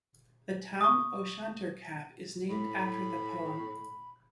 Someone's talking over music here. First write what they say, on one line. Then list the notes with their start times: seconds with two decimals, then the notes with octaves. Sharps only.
The Tam o' Shanter cap is named after the poem.
0.81 C#6 D#6
2.50 A2 B5